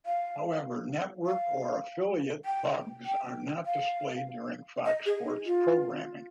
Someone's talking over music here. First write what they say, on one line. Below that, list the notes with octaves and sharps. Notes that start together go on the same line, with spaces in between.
However, network or affiliate bugs are not displayed during Fox Sports programming.
F5
F5
G5
G5
F5
D#5
G#4
D#4
F4